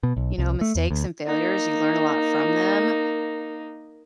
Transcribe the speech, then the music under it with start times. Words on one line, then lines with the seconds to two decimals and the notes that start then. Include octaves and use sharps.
you know, mistakes and failures, you learn a lot from them.
0.03 B2
0.17 B1
0.38 C2
0.61 A3
0.75 E2
0.91 D2
1.26 A#3 D#4